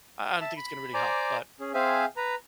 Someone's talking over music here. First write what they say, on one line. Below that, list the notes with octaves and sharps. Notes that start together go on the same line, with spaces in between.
I I don't think it's gonna really help. But
E5 A5
B5
C5 D5 G#5 A#5 D6
C#4 G#4
C4 G#4 C5 E5 F5 G#5
B4 A#5